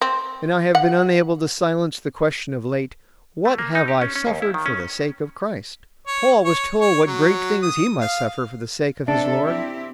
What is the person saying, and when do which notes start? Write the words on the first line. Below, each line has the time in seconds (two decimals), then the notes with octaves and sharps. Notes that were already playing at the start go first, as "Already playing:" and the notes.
And I have been unable to silence the question of late: 'What have I suffered for the sake of Christ?' Paul was told what great things he must suffer for the sake of his Lord.
0.02 C4
0.75 F#5
3.45 A3
3.58 A#3
3.75 D#4
3.88 G4
4.02 C#4
4.16 C#4
4.27 D#2
4.42 E4
4.54 D#3
4.66 C#4
6.07 C#5
6.45 C#5
6.81 C#5
7.06 F#3
7.63 D#6
8.01 F5
9.08 C3 D4 A4 E5
9.47 C4 E4 G4